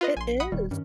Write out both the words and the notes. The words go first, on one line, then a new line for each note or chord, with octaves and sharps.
It is.
F4 B4 D#5
A#1 G#5 C6
F#5 B5 D#6
D#1 B2 D#3 G3
G2 D#3 C#4